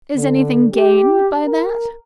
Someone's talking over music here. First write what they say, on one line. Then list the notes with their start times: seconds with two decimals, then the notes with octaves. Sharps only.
"Is anything gained by that?"
0.16 D3
0.74 G4
1.45 A#4